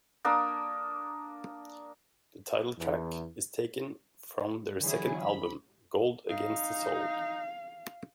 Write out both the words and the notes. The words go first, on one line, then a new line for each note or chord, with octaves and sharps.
The title track is taken from their second album "Gold Against the Soul".
A#3 D4 D#6
E2
D3 E3 F#3 C#4 E4 G#4
B5
D#4 F5